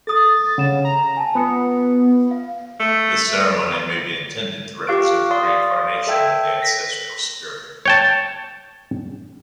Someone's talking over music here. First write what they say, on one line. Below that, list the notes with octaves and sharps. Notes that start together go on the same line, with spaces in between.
This ceremony may be intended to represent the reincarnation of the ancestral spirit.
A4 D#6 A6
C#3 F#5 E7
A#5
G#5 A5
B3 F4 D#6 C#7
F5
A3
F4 G4 F5 C#6 F#6 D7
D5 F5 C6 D#6
A4 E5 G5 E6 G#6
A#6 B6
C#5 G5 A5